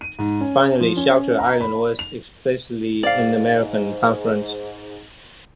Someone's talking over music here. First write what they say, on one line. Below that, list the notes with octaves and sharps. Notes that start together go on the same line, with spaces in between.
Finally, Shelter Island was explicitly an American conference.
D#7
G#2
C#4
F3
C#4
A#5
B5
F7
G#2 D5 F5